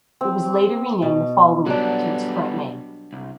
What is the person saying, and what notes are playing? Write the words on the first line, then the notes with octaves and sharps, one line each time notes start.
It was later renamed the following year to its current name.
C4
B2
F#3 G3 B3 D4
C2